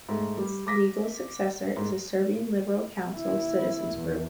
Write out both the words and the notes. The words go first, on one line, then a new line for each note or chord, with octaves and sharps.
Its legal successor is the Serbian Liberal Council citizen's group.
G#2 A3
G3
D6 A#6 B6
G#2
D#2 E4
E2